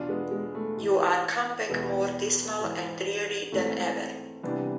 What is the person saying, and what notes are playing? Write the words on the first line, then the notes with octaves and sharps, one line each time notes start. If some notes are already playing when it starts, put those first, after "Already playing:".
You are come back more dismal and dreary than ever.
Already playing: E2 B2 D4 F4
G#3 B3
G#3
A3
G#2 E3
E2 B2 G#3 B3
G#2 E3
G#2 E3 A3 C4
C2 C3 E3 B3 D4